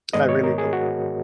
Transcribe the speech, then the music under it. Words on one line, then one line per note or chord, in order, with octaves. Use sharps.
I really do.
G#2 D#3 G#3 B3 D#5
C#5
A#4
G#4
F#4